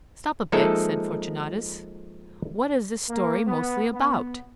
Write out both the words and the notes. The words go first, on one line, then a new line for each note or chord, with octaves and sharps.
"Stop a bit," said Fortunatus; "what is this story mostly about?"
F3 G#3 A#3 D#4 A4 E5
A#3
B3
B3